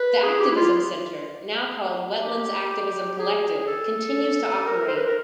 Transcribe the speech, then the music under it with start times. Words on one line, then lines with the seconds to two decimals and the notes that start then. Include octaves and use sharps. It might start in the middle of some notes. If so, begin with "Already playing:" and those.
The Activism Center, now called Wetlands Activism Collective, continues to operate.
Already playing: B4
0.23 G#4
0.40 G4
0.52 E4
0.57 F4
2.20 G4
3.19 G#4
3.68 A4
4.66 A#4
4.88 C5
4.97 B4
5.07 A#4